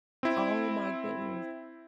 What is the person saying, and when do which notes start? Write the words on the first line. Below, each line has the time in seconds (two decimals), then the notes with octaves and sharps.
Oh my goodness.
0.23 C4 E4